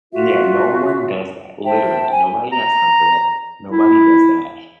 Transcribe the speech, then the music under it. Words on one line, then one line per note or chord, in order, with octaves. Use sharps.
and yeah, no one does that, literally. Nobody has time for that. Nobody does that.
F4 F#4 E5
C5 E5 G5 A5
G#5
A#5
E4